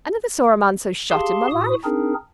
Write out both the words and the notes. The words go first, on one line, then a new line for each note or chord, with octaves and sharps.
I never saw a man so shot in my life.
G4 G#4 F5 A5 C6
A2 F#4 D#6
C4 D4 D#4 G#4 A#4